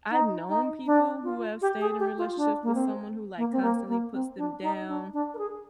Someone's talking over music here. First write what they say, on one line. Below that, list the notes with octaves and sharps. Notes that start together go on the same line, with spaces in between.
I've known people who have stayed in relationships with someone who, like, constantly puts them down
D#4
D#4
D4
F4
G4
G#4
G4
F4
D4
A#3
C4
A#3
C4
A#3
A#3
C4
D4
D#4
D4
D4
A#4
G#4